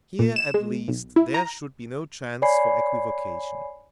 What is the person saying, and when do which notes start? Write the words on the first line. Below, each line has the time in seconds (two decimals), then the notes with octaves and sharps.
Here, at least, there should be no chance for equivocation.
0.19 A#2
0.36 E7
0.54 G#3
0.88 B1
1.16 E4
1.34 A#5
2.42 C#5 D5 G#5 B5 C7